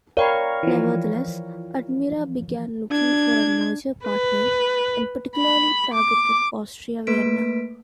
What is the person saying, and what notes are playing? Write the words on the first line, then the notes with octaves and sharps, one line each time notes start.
Nevertheless, Admira began looking for a merger partner, and particularly targeted Austria Vienna.
A#4 C#5 D5 F5 G5 B5
E3 F3
D4 G#6
B4
B5
D6
A3 A#3 B4 B6 D7